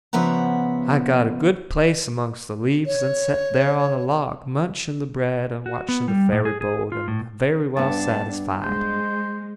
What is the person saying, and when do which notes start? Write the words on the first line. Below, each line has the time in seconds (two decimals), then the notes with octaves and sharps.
I got a good place amongst the leaves, and set there on a log, munching the bread and watching the ferry-boat, and very well satisfied.
0.13 C#3 F3 B3 E5 F#5 A#5
2.85 C#5
5.66 F#4
5.89 B3
6.08 G3
6.32 A2
6.45 G#4
6.61 G#4
6.92 F4
7.08 A2
7.77 G2 B3 D4 A5
8.63 G#3 C5